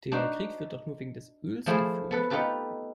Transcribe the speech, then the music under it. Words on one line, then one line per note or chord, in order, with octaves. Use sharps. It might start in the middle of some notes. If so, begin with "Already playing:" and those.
Der Krieg wird doch nur wegen des Öls geführt.
D4 D#4 F#4 C5
F3 A3 E4 G#4 C5
B3 A4 B4
B3 D#4 F4 G4 A4 B4